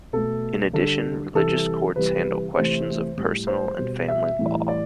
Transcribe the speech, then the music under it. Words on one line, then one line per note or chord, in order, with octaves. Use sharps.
In addition, religious courts handle questions of personal and family law.
B2 A3 A4
D3 G3 A4
C3 E3 G3 A4
C3 E3 G3 B4
C3 E3 A3 C5
A2 G3
C5
B2 G3
E5
A2 E3 G3
D5